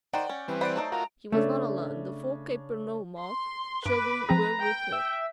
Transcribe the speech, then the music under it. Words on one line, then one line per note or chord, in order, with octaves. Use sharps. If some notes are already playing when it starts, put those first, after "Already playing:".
She was not alone: the four Kapernaumov children were with her.
D#3 C5 D5 F#5 G5
C#4
E3 G3 C4 B4
C5 D5 F#5 B5 D7
F#3 A3 D#4
F4 F#4 A#4 A#5
C#3 A3 C#4 D4
C6
G2 B4 D6
F3 C4 G#4 A#5
G5
E5